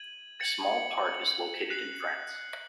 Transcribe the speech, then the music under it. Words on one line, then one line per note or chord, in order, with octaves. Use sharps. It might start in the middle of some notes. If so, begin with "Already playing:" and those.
A small part is located in France.
Already playing: G#6 D#7 F#7
G#6 C#7 F#7
F#6 C7 F#7